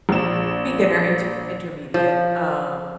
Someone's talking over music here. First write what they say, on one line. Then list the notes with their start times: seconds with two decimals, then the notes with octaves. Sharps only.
beginner inter intermediate, um,
0.09 A#1 E7
1.94 F3